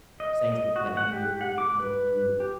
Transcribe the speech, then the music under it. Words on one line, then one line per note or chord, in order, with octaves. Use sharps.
saying something that may be a little bit more rude
D#5
D#5
F#4
F#5
G4
F#5
D6
B4
G4